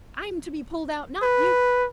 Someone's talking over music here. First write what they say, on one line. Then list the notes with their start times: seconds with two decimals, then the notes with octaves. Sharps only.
'I'm to be pulled out, not you.
1.22 B4